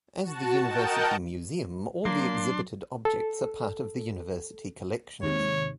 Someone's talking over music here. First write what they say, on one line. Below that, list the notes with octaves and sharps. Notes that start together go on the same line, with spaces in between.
As the university museum all the exhibited objects are part of the university collections.
F#4 A5
A#4 D#5 F#5 G5 A5 G6
F#3 A#3 D4 C6
A4
D#2 G#2 C3 C#5